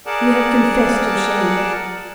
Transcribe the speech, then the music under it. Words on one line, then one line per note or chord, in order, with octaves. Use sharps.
You have confessed your shame.
G#4 A#4 D5 F#5 A5